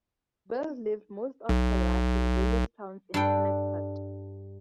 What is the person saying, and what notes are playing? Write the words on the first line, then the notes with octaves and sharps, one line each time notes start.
Bertin lived most of her life in various towns in Connecticut.
B1
G2 D4 A4 G5